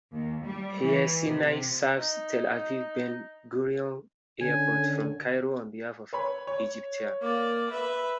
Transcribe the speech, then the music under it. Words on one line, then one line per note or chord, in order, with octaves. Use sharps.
Air Sinai serves Tel Aviv-Ben Gurion Airport from Cairo on behalf of Egyptair.
D#2
G3
E3
C3
D#4
D3 C#4 G#5
B4 C#5 B5
C#5
A#3 D5
B4 E5